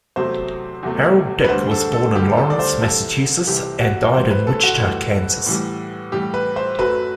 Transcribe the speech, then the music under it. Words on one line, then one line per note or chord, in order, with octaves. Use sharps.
Harold Dick was born in Lawrence, Massachusetts and died in Wichita, Kansas.
E2 C3 F#3 A3 C5
E2 C3 F#3 A3
B4
D2 D3 G3 C5
A4
A4
D2 D3 G3 G4
A4
D5
C5
C2 C3 E3 A4
C2 C3 E3 G4
F#4
A2 E3 G3 C5
B4
A4
F#4
A2 E3 G3
A2 E3 G3
A2 E3 G3 G4
B4
C5
F#2 F#3 A3 B4